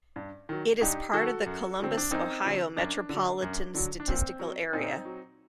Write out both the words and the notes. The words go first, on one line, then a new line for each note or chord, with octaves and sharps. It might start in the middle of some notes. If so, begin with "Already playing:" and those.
It is a part of the Columbus, Ohio Metropolitan Statistical Area.
G2
D#3 F#3
G2 D#4 G4
D#3 F#3 F#4 A4
F#2
D3 F#3 C4
D4
F#2 C4 D#4
D3 F#3
F#2 D4
D3 F#3
F#2
D3 F#3
D4
A#2 C4
F#3
A#2 C4 D#4
F#3